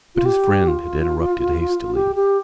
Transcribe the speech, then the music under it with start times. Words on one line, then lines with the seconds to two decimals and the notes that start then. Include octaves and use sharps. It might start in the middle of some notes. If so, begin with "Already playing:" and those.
But his friend had interrupted hastily.
0.15 F4
0.25 G4
0.68 F4
1.95 G4
2.16 G4